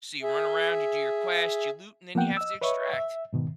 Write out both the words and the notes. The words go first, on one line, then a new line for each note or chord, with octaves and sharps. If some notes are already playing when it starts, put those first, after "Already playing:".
so you run around, you do your quest, you loot, and then you have to extract,
G#4 E5
F3 A#3 B3 F#5 G5
D#5 E6
B4 C#5 D#5 E5 C#6
E5
G#2 B2 D#3